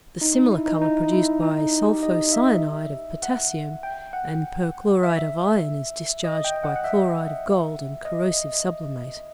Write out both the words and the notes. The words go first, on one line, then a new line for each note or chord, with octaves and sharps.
The similar colour produced by sulpho-cyanide of potassium and perchloride of iron is discharged by chloride of gold and corrosive sublimate.
D#4
E4
D#4
D#4
E4
D#4
G4
D#5
E5
F#5
G5
F#5
E5
D#5
G5
F#5
F#5
E5
D#5